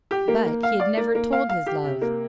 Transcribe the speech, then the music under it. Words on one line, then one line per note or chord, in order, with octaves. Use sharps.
But he had never told his love.
G4
A#3
A#3
F5
D5
A#3
A#3
F5
F5
G4
C3
A#3